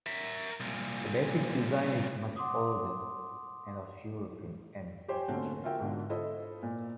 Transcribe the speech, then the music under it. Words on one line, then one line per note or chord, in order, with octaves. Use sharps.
The basic design is much older and of European ancestry.
A#4 E5
C2 A#2
F#5 C6 D6 D#6
G4 C5 C#5 G5 G#5 C6
B2 D3 A3 A#3 C4 C#4
F4 F#4 A#4 E5 G5
G#2 B2 D3
E4 F4 A4 C5 D#5
A#2